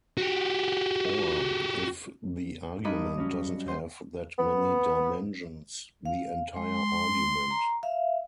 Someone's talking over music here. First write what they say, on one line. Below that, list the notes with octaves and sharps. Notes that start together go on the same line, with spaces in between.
Or, if the argument doesn't have that many dimensions, the entire argument.
F#4 G4
G2 D#4 A#4 D#5 B5
F#3 C#4
C5
B3
F5
G#3 C6
A#5
E5 F5